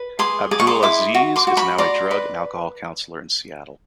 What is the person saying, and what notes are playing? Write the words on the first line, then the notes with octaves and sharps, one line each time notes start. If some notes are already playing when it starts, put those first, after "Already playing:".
Abdul-Aziz is now a drug and alcohol counselor in Seattle.
Already playing: B4
G#4 C6 D6
G#4 D6
C#6
C6 D6
E4 C6 D6
F#4
C6 D6
F#4
B5 C#6
D5 A#5 C6
B4